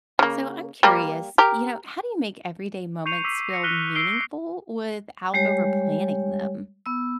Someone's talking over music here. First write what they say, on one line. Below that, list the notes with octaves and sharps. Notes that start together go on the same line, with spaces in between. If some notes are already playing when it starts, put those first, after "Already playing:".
So, I'm curious, you know, how do you make everyday moments feel meaningful without over-planning them?
C#3 A#3
G3 A#3
G4 A#4
C#6 G6 C7 C#7 D#7 F7
C#6 D6 E6 B6 C7 D#7
A#6 C#7
F6 F#6 A#6 B6 D#7 G7
E6 F#6 C7 D7 G7
G3 G#3 G4 C#5
B3 E6